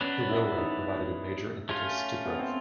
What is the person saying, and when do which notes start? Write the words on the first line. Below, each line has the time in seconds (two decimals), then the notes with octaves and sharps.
The railroad provided a major impetus to growth.
0.01 F#3 B3 C#4 D4
0.29 E4
0.57 D#4
1.69 A3 C#4 F4
2.26 B3
2.39 C4